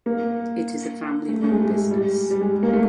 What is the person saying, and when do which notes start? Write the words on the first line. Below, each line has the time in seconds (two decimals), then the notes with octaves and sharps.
It is a family-run business.
0.06 A#3
1.28 A3
1.44 A3
1.51 G#3
1.59 G3
1.65 G#3
1.90 G3
2.30 G3
2.41 G#3
2.63 A#3
2.73 A3